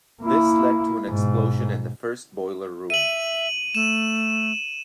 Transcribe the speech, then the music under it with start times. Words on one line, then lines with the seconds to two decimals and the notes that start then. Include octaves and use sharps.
This led to an explosion in the first boiler room.
0.23 A#3 E4
1.09 G#2 B2
2.90 E5 D#7 F#7
3.75 A3 E7